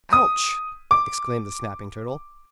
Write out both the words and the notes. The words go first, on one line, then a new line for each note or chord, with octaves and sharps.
"Ouch!" exclaimed the Snapping Turtle.
D#6
D6